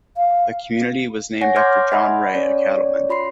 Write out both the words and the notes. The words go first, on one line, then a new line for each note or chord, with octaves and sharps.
The community was named after John Wray, a cattleman.
F5
C#5 F#5 G#5 A#6
C6 D6 F6 G6 G#6
D#5 E5 F#5 G#5 B5
C#4 C#5 D5
F4 B5 C6 C7